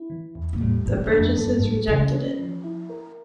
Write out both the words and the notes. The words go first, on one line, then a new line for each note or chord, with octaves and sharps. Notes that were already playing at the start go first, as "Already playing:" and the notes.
The Burgesses rejected it.
Already playing: E4
E3
E2
A#2
A2 G3
A#2 E3
E2
F2 D4
G2 A4
A2 G3
C#3 E3
C#4
F3
E4
A#4